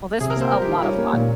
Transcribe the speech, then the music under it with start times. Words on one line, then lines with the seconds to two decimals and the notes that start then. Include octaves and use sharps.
Well, this was a lot of fun.
0.20 C3 G#4
0.30 A#4
0.36 A#3 C5
0.51 G3 A#4
0.62 G4
0.66 D#3
0.71 F4
0.82 G3 C#4
0.98 A#3
1.13 A#2